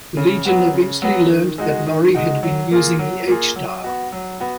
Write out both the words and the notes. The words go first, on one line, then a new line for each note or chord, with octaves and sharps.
The Legion eventually learned that Lori had been using the H-dial.
C#3
F#3 B3 F#4
C#3
F#3 B3 F#4
D#3
G#3 D#4 F#4
D#3
G#3 D#4 F#4
F#3
A#3 F4 G#4
F#3
A#3 F4 G#4
F#3
B3 F#4
F#3
B3 F#4